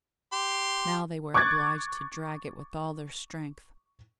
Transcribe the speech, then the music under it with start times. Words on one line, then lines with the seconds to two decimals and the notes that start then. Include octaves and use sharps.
Now they were obliged to drag it with all their strength.
0.32 G4 C6
1.34 C#6 D6 F#6 G#6 A6